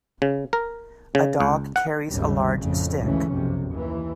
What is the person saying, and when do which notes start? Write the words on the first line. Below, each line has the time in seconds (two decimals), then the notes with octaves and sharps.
A dog carries a large stick.
0.22 C#3
0.53 A#4
1.15 C#3
1.40 C#2
1.76 F#5
2.09 G#1 D#2 C#3 G3
2.58 F2 A2 C#3
3.00 G#1 D2 C#3 E3 C#4
3.34 F#1 B1 F2 C3
3.69 D#2 E3